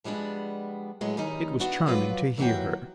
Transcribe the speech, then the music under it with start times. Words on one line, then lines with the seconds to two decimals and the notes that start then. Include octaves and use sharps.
It was charming to hear her.
0.04 F3 G3 G#3 B3 D4
1.01 A2 F#3 G#3 B3
1.17 D#3 G3 C#4 D#4
1.60 B3 D4 E4 F#4
1.86 F3 F#3 F4 B4 D5
2.38 D#2 E3 F#3 A#3 F#4 G5